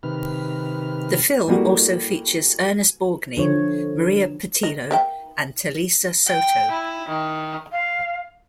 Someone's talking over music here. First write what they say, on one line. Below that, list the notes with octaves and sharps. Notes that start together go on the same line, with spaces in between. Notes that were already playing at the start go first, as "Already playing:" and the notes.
The film also features Ernest Borgnine, Maria Pitillo, and Talisa Soto.
C3 D#3 B4 F6
A2 G3 A#3 F#4
D3 F3 C#5
D#5
A#4 E5 G5
G5
E4
D#3
F5